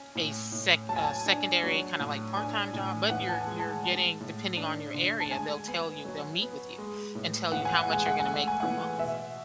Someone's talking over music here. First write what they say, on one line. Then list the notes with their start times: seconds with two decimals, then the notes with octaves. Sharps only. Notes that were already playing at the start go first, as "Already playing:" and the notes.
a sec a secondary kinda, like, part-time job, but you're you're getting depending on your area, they'll tell you they'll meet with you and tell you how much you're gonna make per month.
Already playing: C#4 G#5
0.15 A2
0.52 A2
0.89 F#3 A5
0.96 G#5
1.03 A5
1.26 D4
1.63 F#3
2.00 A2
2.36 D4 G#5
2.73 A2
3.10 E3 F#5
3.29 A5
3.35 G#5
3.47 G#3
3.59 A5
3.84 G#3 A5
4.20 A2
4.57 D4
4.94 D3
5.20 A5
5.31 G#3 G#5
5.68 B3 G#5
6.05 F#3
6.42 B3
6.78 G#3
7.15 A2
7.52 E3 F#5
7.65 G#5
7.79 F#5
7.89 G#3 G#5
8.06 F#5
8.20 G#5
8.25 A3
8.34 F#5
8.48 G#5
8.60 E3 F#5
8.99 B2 E5